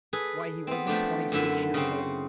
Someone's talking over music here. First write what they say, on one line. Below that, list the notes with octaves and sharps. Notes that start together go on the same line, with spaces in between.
Why, he wasn't twenty-six years old.
G#4 A4 B4
B3 C4
F3 A3 D4
F#2 D3 E4 F4 E5
C#3 C4